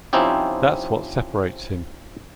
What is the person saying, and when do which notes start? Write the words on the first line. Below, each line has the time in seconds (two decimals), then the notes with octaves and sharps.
That's what separates him.
0.13 F3 C4 C#4 D#4 E4 G4